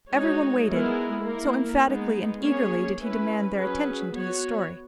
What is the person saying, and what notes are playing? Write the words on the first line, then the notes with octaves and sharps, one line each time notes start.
Everyone waited, so emphatically and eagerly did he demand their attention to his story.
G#3 D#4 F#4 C#5
G#3 B3 E4 A#4
A#3 E4 A#4
G#3 B3 D#4
A#3 C#4 G#4 C#5
C#4 E4 B4
F#3 C#4 G#4 B4
B3 F#4 C#5